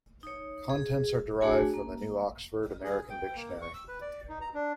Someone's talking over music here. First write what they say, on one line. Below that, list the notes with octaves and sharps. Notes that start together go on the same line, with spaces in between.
Contents are derived from New Oxford American Dictionary.
D#4 C#5
G#4
A3 D4 F#4 G#4 C#5 G#5
A#3
G#4
G5
A#3
C#6
E6
B4
D5
D#4
A#5
D4